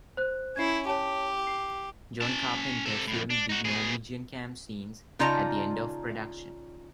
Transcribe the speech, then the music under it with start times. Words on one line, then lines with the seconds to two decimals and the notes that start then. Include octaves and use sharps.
John Carpenter filmed the Norwegian camp scenes at the end of production.
0.17 C5 F#6
0.56 C#4 E4 G#6 C7
0.87 G4 C#5 A5
1.47 C7
2.21 C#4 A5
2.86 C3 A4
3.07 F2 A2
3.30 D4
3.49 D#4 F#4
3.65 B2 G#4
5.19 C#3 D#4 F4 D5 A5 A#5